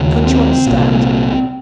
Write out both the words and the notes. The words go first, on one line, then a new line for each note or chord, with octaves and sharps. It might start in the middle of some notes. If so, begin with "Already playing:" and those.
Can't you understand?
Already playing: D#2 C#3
C4
C2 A#2